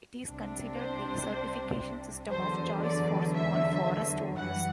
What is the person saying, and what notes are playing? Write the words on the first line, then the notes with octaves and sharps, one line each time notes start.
It is considered the certification system of choice for small forest owners.
C2 C3 G3 D4
C5
E2 D3 F#3 C5
D5
E5
F#2 E3 G3 F#5